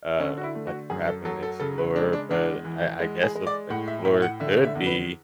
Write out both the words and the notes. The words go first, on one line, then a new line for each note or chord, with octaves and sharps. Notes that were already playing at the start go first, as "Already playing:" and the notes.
uh, like a traveling explorer, but I I guess, a an explorer could be
D3 C#4
F#4
E4
A3
F#4
F#2 G#4
A4
F#3 A4
A4
C#3 A4
B4
G#3 D4
D4
E2 D4
E3
G#3
G#4
G#3
D5
A2 F#5
E5
A2 E5
F#5
D3 E5
E5
E2
B4